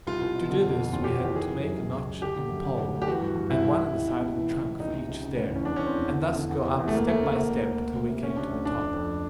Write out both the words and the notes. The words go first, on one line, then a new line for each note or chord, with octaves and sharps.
To do this we had to make a notch in the pole and one in the side of the trunk for each stair, and thus go up step by step till we came to the top.
C2 F4
C2
B2
D3
F2
F2
D#2 F4
D#2 G4
F#4
E3 G4
D#3 G#4
F#2
F#2
C#2
C#2
C#2
D3 G4
D3
F#2
D3
D2
D2
G4
E3 F#4
G2
G2
C2 E4
C2
C2
C#2
B2
C#2
E3
C#2
E3
C#2 D#4
C3
C#2
C#3
D2
E3 C#4
E2 D4
E2 C#4
C4
E2
D3
D3
D3
E2
C3
E2
A3
D2 A#3
D2 A3
D3 A#3
D3
D2
D2
D2
D2
C3
D2 C#4
C3 D4
D2
F2 D4
F2
F2